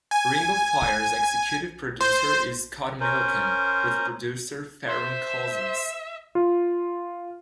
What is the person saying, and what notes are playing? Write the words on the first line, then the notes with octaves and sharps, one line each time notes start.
"Ring of Fire"s executive producer is Scott Millican, with producer Farron Cousins.
G#5
C5
C#4 A#4 C5
C5 E5
F4